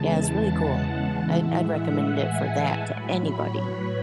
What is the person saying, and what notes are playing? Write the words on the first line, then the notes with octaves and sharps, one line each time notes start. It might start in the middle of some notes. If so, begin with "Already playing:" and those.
Yeah, it's really cool. I'd I'd recommend it for that to anybody.
Already playing: E2 C#3 E3 G#3 A5
F#5
A2 E3 G#3 E5
F#5
G#5
A5
A2 F#3 B5
C#5
B4